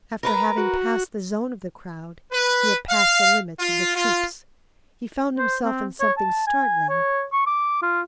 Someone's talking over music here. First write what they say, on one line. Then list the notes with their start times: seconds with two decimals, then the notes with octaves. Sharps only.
After having passed the zone of the crowd, he had passed the limits of the troops; he found himself in something startling.
0.23 A#4 B4 A#5
0.57 F#4
2.32 B4
2.89 F5
3.60 F4
3.95 F4
5.38 C5
5.64 C4
6.00 C#5
6.18 A5
6.47 G#5
6.89 C#5
7.32 C#6
7.47 D6
7.82 F4